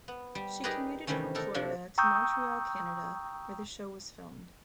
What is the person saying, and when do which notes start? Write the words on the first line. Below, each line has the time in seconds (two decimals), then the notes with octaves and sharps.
She commuted from Florida to Montreal, Canada, where the show was filmed.
0.08 B3
0.35 G3
0.64 D#4 G4 G#4 A#4 B4 D5
1.07 C3 D#3 E3 G3 A3 C#4
1.35 D4 D#4 A4 A#4
1.54 C3 F3 D4 E5
1.98 G5 A#5 C#6 D#6 E6 G6